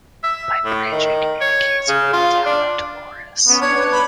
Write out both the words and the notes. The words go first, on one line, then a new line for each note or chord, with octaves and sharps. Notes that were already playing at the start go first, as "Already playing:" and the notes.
By bridge it communicates with the town of Dolores.
E5
A2
D#3
C#5
C#3
F4
D4
B3 C#4
D4 C#5
B4
B5